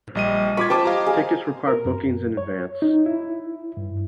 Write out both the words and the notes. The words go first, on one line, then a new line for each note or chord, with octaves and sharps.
Tickets require bookings in advance.
A#1 G3 D#5 D#7
F4 B5 C#6 D6 G#6
C5 G5 A5 D6 D#6
G4 D#5 F5 A#5
G#4
A#4
F#2
C#5
D#4
E4
G2